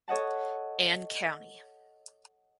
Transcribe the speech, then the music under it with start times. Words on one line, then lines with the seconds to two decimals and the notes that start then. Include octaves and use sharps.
Anne County.
0.08 A4 C#5 D#5 F#5 A5